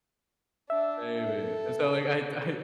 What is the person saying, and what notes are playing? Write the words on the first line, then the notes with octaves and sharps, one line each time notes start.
Maybe. And so like, I d I
D4 E5
A4